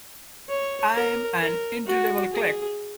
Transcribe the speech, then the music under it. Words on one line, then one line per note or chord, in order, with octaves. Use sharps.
I'm an entry-level clerk.
C#5
A#4
A#4
F#4
G#4